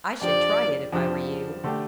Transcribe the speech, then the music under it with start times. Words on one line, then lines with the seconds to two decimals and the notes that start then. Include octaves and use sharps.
I should try it if I were you.
0.21 F2 F3 D4 G4 D5
0.93 F2 F3 D4 G4
1.64 D3 A3 D4 G4